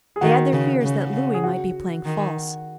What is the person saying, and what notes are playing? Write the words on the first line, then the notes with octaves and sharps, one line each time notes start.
They had their fears that Lewis might be playing false.
G#4
D#3 F#4
C#3
C#3
G#4
F#4
D#3